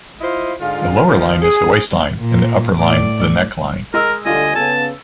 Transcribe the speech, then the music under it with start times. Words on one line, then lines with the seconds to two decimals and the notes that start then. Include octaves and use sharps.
The lower line is the waistline and the upper line the neckline.
0.21 E4 F4 C5 D#5 F5
0.60 G#2 D3 F4
1.07 D#3 F3
1.41 G#4
2.20 A#2
2.75 A2 D5
3.94 G#3 A#4 D#5 E6
4.26 D2 D3 G3 F4 D#5 G#5
4.55 C#3 B3 A4 A5